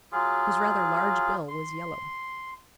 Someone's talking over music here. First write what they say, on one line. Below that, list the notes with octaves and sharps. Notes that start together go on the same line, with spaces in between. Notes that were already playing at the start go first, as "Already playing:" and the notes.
His rather large bill was yellow.
F#3 F4 G#4
C6